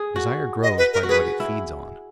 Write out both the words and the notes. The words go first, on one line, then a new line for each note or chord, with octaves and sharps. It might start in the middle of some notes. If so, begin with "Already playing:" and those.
Desire grows by what it feeds on.
Already playing: G#4
F#4
D#5
B4
A#4
F#4
G#4 B4
E4